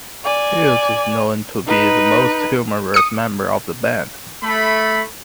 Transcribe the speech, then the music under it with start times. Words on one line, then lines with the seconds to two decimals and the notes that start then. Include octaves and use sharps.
Hughes is known to be the most humorous member of the band.
0.24 D5 G#5
1.67 D#4 B4
2.94 D#6 C#7
4.43 A3 B5